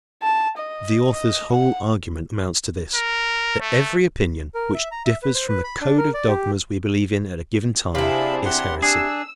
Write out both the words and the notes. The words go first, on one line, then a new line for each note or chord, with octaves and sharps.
The author's whole argument amounts to this: that every opinion which differs from the code of dogmas we believe in at a given time, is heresy.
A5
D#5
D#5
F#5
A#4
A3
A#4
E5
A#5
E5
B4
C5
B4
B5
D4
A#4
D5
G4
C3 C4 D4 E4 G#4 F5 B5
G4 F#5 C6
D4 G#4 E6